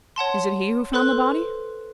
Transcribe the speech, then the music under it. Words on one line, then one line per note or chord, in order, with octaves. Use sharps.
'Is it he who found the body?'
C#5 F#5 A5 C6
A4 B4 C5 C6 F#6